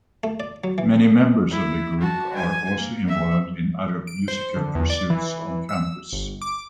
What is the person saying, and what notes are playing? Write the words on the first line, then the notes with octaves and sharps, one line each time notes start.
Many members of the group are also involved in other musical pursuits on campus.
A3
D5
F#3
E3
E4
F#4 A5
G#5
A#3
E5
D7
C5
D3
E2
D5
E3
E6
G1
D6